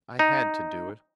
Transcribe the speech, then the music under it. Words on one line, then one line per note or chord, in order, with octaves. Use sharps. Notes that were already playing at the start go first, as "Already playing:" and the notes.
I had to do it.
D#4